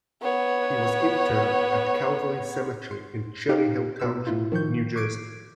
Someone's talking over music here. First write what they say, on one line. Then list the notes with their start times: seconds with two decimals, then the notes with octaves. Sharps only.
He was interred at Calvary Cemetery in Cherry Hill Township, New Jersey.
0.22 B3 C#5
2.91 C6
3.49 D#4 G4 D#5 F5
4.00 B2 B4 E6
4.27 A2 E4 F4
4.52 D#3 F3 C#6 G6
4.96 C#6 D6 G#6 C7 D7